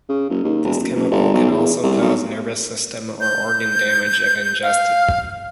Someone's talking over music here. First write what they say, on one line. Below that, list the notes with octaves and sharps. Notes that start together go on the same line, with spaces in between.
This chemical can also cause nervous system or organ damage if ingested.
C#3
F#1
D#2
E1
F#1
F#1
G1
B1
E2
C2
B1
G6
F5